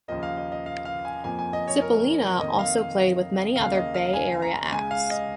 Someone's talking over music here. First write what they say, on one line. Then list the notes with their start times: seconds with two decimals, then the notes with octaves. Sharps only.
Cippolina also played with many other Bay Area acts.
0.08 D#2 C#3 F3 A#3 D#5
0.23 F5
0.37 D#5
0.52 D#5
0.66 F5
0.85 F5
1.05 G#5
1.24 F2 F3 A#3 G#5
1.39 G#5
1.53 D#5
1.68 C#5
1.82 A#4
2.40 F2 D#3 A#3 D#5
2.59 F5
2.78 F5
3.56 D#2 C#3 A#3 F5
3.75 D#5
3.94 F5
4.13 G#5
4.42 A#5
4.72 C#2 C#3 G#3 G#5
4.91 F5
5.10 D#5